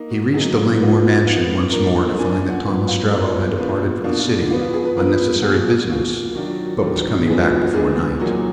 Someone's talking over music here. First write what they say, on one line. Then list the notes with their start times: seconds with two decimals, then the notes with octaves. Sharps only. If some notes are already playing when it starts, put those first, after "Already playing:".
He reached the Langmore mansion once more to find that Tom Ostrello had departed for the city on necessary business but was coming back before night.
Already playing: A#3 D#4
0.10 F#4
0.34 F#3 A#3 D#4 G#4
0.46 F#4
0.57 F4
0.69 F#4
0.81 F3 B3 F4
1.26 F3 B3 F4
1.72 F3 A#3 D4 A#4
2.19 F3 A#3 D4 G#5
2.34 G#5
2.50 F#5
2.65 F#3 B3 F4
2.88 F5
3.11 F#3 B3 F4 D5
3.57 B2 A#3 D4 F4 B4
4.04 B2 A#3 D4 F4
4.19 F4
4.35 F#4
4.50 F3 B3 F4
4.61 F4
4.74 G#4
4.85 B4
4.97 F3 B3 F4 A#4
5.42 B2 A#3 F4 G#4
5.89 B2 A#3 F4
6.35 D#3 F#3 D4 F4 F#4
6.50 F#4
6.66 F#4
6.81 D#3 F#3 D4 F4
7.27 A#2 F3 G#3 B3 D4 G#4
7.39 F4
7.50 F#4
7.61 F#4
7.73 A#2 F3 G#3 B3 D4 G#4
8.20 A#2 F#3 A#3 D#4 F#4